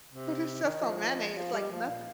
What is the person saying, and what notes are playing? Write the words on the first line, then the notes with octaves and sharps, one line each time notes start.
But it's just on mayonnaise, it's like nothing.
C3
D#3 D#5
F3
F5
D#5
F3 F5
G3 D#5
F3 F5
A#2